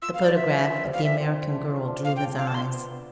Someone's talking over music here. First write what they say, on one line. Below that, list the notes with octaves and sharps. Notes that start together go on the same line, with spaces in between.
The photograph of the American girl drew his eyes.
F4 E6
F5
B4
D5
F4 E5
B4
C4
G3
F5
G3 E5
C4
C5
D4
F4
D4
D4 F5
G5
D4
D4 F5
A5
C5 C6
B3
B3